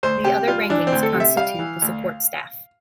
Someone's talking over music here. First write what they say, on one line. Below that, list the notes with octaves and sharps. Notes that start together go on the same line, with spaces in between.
The other rankings constitute the support staff.
D2 C5
C3 G4
G3 F4
E3 D4
C4
D2
A4
C3
E5
G3 F5
E3
D2